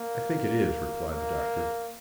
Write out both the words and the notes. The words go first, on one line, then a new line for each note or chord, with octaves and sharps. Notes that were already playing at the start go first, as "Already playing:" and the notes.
"I think it is," replied the Doctor.
Already playing: A#3
A#3